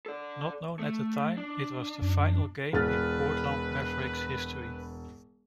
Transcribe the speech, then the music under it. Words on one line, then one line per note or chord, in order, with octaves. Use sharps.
Not known at the time, it was the final game in Portland Mavericks' history.
A4 D5
A3
D4
F#2
E1 B4 F6 A6